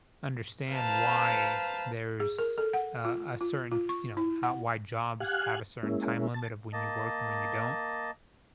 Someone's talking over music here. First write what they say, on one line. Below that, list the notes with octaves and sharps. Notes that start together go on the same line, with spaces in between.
understand why there's a a certain, you know, how why jobs have a certain time limit of when you work and when you don't,
B4 C5 F5 A5 A#5
G#4
A#4
A4
F#5
F4
F4
F4
C#6
E4
F#5
G4 F5 F#5 G#5 F#6
G#3 A#3 C#4 E4
A5 A6
A#3 D#5 A5